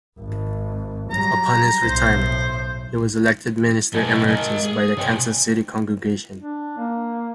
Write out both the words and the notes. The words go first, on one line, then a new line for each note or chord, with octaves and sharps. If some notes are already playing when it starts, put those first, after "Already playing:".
Upon his retirement, he was elected Minister Emeritus by the Kansas City congregation.
G#1
F#3 G3 A#5
B1 A2 C5
B2 F#3 D#4 A4 B4 G#5
G#3 A#4 D#5
G#4
B2 C#5 G5 G#5
D4
A#3